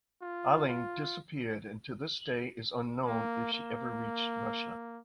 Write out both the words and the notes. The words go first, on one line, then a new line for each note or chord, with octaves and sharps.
Alling disappeared and to this day it is unknown if she ever reached Russia.
F4
F4
A#3
A#3